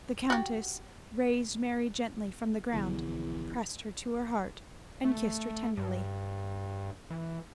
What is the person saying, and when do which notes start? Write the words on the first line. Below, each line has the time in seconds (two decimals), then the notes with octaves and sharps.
The Countess raised Mary gently from the ground, pressed her to her heart, and kissed her tenderly.
0.30 F#4 G4
2.73 B1 E2 D3 F3
5.04 A3
5.77 G2
7.10 E3